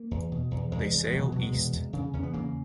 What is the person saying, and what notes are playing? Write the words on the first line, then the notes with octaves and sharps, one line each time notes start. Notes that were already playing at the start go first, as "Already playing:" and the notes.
They sail east.
Already playing: A#3
E2
B2
E2
E2 G#3
E2
G#3
B2 F#3
E3
B2 F#3
G#3
E2
E2
C#3
E2 C#4
B3
C#3 A#3